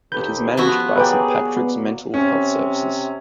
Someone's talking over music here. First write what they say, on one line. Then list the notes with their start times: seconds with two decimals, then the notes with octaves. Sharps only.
It is managed by St Patrick’s Mental Health Services.
0.12 D#2 G4 A4 B4 G6
0.57 F3 B3 E4 F#4
0.96 F#3 A#3 G#4 B4 D5 G5
1.56 B3
2.14 C3 C#4